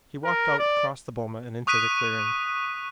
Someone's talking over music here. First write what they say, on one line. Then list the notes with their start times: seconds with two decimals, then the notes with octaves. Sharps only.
He walked out across the boma and into the clearing.
0.24 A#4
0.59 D5
1.67 C#6 D#6 F#6 B6 D#7